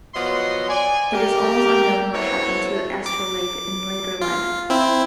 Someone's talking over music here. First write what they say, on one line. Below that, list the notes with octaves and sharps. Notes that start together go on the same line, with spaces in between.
It is almost unknown what happened to Astrolabe in later life.
F3 F#3 B3 D#5 C6
D5 G#5
G4 A#4
B3 C4 E4 F#4 A4 C#5
D6
F4
C4 E4